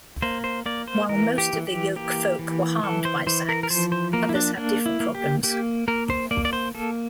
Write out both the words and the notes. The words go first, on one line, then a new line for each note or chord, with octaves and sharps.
While most of the Yolkfolk were harmed by Zaks, others have different problems.
A#3 C5
C5
A#3 D5
C5
E3 A#4
G4
E3
G4
A#3 G4
E3
E3 A4
C5
E3 C5
A#4
A#4
F3 C5
C5
A#3 A#4
E4
D4
A#3 D4
E4
A#3
G4
A#3 G4
A#3 A#4
C5
A#3 D5
D5
C5
A#3 A4